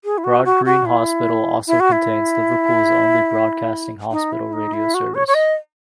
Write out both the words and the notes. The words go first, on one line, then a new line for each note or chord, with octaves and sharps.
Broadgreen Hospital also contains Liverpool's only broadcasting hospital radio service.
G#4
E4
F#4
F#4
F#4
E4
E4
F#4
E4
D#4
E4
D#4
E4
F#4
C#5
C#5
D#5